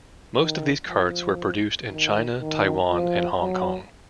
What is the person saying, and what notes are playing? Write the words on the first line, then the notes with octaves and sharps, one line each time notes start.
Most of these carts were produced in China, Taiwan and Hong Kong.
D#3
F3
D#3
D#3
F3
F#3